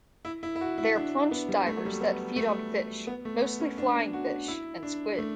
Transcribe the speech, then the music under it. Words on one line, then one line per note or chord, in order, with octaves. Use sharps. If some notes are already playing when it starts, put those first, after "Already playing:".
They are plunge-divers that feed on fish, mostly flying fish, and squid.
E4
E4
E4
F#4
E4
D4
B3
G3
A3
F#3
G3
A3
B3
A3
B3
A3
B3
C#4
D4
F#4
E4
D4
A3